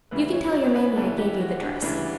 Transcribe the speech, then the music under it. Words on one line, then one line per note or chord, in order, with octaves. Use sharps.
You can tell your mammy I gave you the dress.
D2 C#3 E3 G3 B4
C#5
D5
C#5
B4
D2 C#3 E3 G3 A4
G4
F#4
D4
D2 C#3 E3 G3 D4